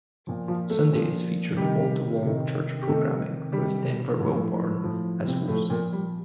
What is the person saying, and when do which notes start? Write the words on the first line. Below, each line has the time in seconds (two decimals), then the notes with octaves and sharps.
Sundays featured wall-to-wall church programming with Denver Wilborn as host.
0.27 A#2 F3
0.48 F3 F4
0.70 A3 A4
0.92 A#2 F3
1.57 C3 D#3 G3 G4
2.22 C3 D#3
2.82 G4
2.87 C3 D#3 A3 A4
3.52 C3 D#3 G3 G4
4.18 A2 F3
4.83 A2 F3
5.26 C3 C4
5.48 A2 F3 A3
5.70 A#2 A#3
5.93 G3